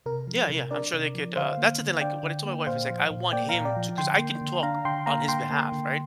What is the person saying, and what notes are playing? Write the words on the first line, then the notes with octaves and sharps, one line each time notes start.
Yeah, yeah, I'm sure they could, uh that's the thing, like what I told my wife is, like, I want him to 'cause I can talk on his behalf, right,
C3 A#4
F3
C3
D4 A#4 D5
C3
F3
D3 C5 F5
A#3
D3
D4 D5 G5
D3
A#3
A#2 C5 F5
F3
A#2
A#3 D5 G5
A#2 F5 A#5
D5 G5
F3
D3 G5 C6
A#3
D3
D4 F5 A#5
D3 G5 C6
A#3 F5 A#5
D3 G5 C6
A#3
D3